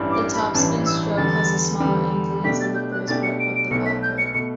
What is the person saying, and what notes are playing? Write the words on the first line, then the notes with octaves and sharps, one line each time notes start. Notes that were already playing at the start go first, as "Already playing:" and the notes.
The topspin stroke has a smaller influence on the first part of the ball-curve.
Already playing: A1 G2 E3 G3 D4
D6
B5
A1 G2 E3 G3 D4 A5
E6
E2 D3 G3 B3 A6
E2 D3 G3 B3
B2 A3 D4 G4 B6
A6
G6
F#6
B2 A3 D4 G4 A6
C#7
D7
D7
B1 B2 A3 C#7
B6
G6
C#7
B2 A3 C#7